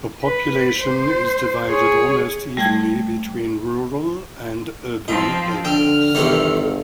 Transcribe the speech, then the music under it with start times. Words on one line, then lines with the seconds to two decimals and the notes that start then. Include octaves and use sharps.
The population is divided almost evenly between rural and urban areas.
0.23 B4
0.78 C5
1.70 G#4 C#5
2.57 G3 A3 G5 G#6
5.08 F3 C4 D#4
5.65 D3 G5 F6
6.15 G1 E2 C3 D#3 A4